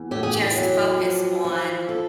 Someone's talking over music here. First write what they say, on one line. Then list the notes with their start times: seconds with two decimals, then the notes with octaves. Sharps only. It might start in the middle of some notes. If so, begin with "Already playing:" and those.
just focus on
Already playing: E2
0.11 A2 G4
0.23 G#4
0.34 G4
0.56 F#3
0.99 F3
1.44 F3
1.89 A4